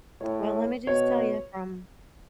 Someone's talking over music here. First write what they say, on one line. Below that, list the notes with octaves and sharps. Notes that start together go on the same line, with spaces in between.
Well, let me just tell you from
A2 C#5
B2 C#5